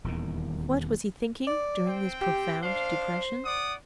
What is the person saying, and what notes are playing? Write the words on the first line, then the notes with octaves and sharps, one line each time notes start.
Of what was he thinking during this profound depression?
D#1 E2 D#3
D5
C4 C5 G5
G4
D4 C5 F5
D5 F#5 D#6